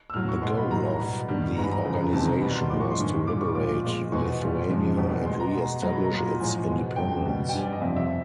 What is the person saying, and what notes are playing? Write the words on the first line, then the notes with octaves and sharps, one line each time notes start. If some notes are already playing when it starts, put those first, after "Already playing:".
The goal of the organization was to liberate Lithuania and re-establish its independence.
E6
A2 F#3 F6
C#6
B2 G#3 C6
B5
A2 F#3 A#5
A#5
B2 G3 B5
G2 D#3 G3
G#2 E3 G#3 A#5
B5
A#5
E2 C#3 F3
A#5
E2 C3 D#3 G#3 A5
A#5
B2 G3 B5
C6
A2 F3 G#3 D6
C#6
C6
G2 D#3 G#3 C#6
A#2 G3 D6
C#6
A#2 F3 G#3 D6
A#2 F3 G#3
E2 B2 G#3 C#6
A#2 G3
F2 C#3 F3 G#3
E2 B2 G3
B2 G#3 C6
A#5
B2 G#3
B2 F#3 A#5
B5
A#5
A#2 F#3
A2 F3 G#3 G#5
B2 G#3
F2 C#3 F#3 G5
B2 G3
G5
G2 E3 G3 G#5
D5
D#5
F2 C3 F3 E5
E5